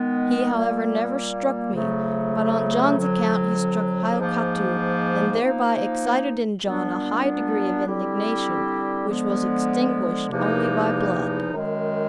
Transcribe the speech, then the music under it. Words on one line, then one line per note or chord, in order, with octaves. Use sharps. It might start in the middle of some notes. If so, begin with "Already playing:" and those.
He, however, never struck me; but on John's account he struck Hiokatoo, and thereby excited in John a high degree of indignation, which was extinguished only by blood.
Already playing: D#3 G#3 B3
A#2 G3 A#3
F2 C#3 F#3 A3
F2 D3 F#3
G#2 F3 A#3
F3 A#3 D#4
A#2 G3 B3 D4
D3 G3 C4 E4 G4
D3 F3 G#3 B3
E2 C3 F3 A#3 D#4
F#2 D#3 G#3